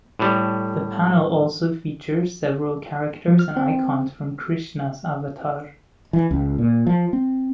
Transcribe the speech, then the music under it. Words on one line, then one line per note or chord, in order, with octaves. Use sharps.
The panel also features several characters and icons from Krishna's avatar.
A2 G3
F3
F6
C4
E3
C#2
A#2
F3
C4